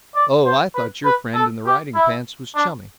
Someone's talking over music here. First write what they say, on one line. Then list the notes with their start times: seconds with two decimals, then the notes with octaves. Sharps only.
"Oh, I thought your friend in the riding-pants was chummy."
0.16 D5
0.46 C5
0.75 B4
1.06 B4
1.35 A4
1.66 G4
1.95 E4
2.56 D4